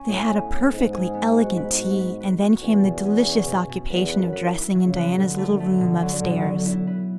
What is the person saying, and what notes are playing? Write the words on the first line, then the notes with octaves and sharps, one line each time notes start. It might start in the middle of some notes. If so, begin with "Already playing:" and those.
They had a "perfectly elegant tea;" and then came the delicious occupation of dressing in Diana's little room upstairs.
Already playing: C#4
A2 G#4
B3
B3
G#2 B3
G#4
B3
F#4
B4
F#4
B4
B4
F#4
E2 C#4
B2
C#4
C#4
B2
B2
E2 B4
B4
F#2
B4
E4
F#3
C#3
B4
B2 D3
A3
D3
A3
B2
F#3
B2
F#3
E4
B4